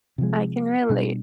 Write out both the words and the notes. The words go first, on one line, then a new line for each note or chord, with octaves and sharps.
I can relate.
C3 F3 G#3
B2 G3 D4